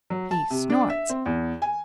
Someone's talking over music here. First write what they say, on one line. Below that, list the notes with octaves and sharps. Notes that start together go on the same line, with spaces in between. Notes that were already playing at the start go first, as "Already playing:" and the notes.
He snorts.
F#3
A5
C3
D4
E5
C4
E2
G#5